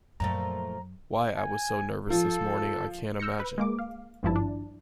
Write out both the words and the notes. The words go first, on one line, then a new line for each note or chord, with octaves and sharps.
Why I was so nervous this morning I can't imagine.
F#2 A#2 F3 A3 A#5
G#5
F3 A4
E6 F6 G6 A#6 C#7
B4
G#3 A#3 D6
F5
G#1 G2 F3 E4 A5
D4